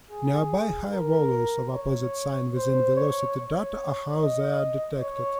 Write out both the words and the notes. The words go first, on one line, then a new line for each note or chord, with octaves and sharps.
Nearby high values of opposite sign within velocity data are how they are detected.
G#4
A#4
C#5
C5
C#5
C#5
D#5
C#5